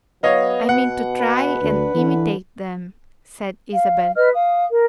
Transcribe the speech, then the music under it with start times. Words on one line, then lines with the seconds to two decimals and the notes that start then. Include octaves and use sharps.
"I mean to try and imitate them," said Isabel.
0.23 F#3 B3 C#5 D#5 F5
0.69 B2 F#5
1.19 B4
1.62 D2 D4
1.95 D3 E3
3.74 F5
4.16 B4 D#5 F6
4.33 F5 D#6
4.69 A#4